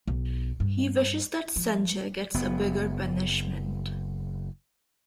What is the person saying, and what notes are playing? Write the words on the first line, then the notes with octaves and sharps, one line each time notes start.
He wishes that Sanjay gets a bigger punishment.
B1
G2
F3
F#1 B3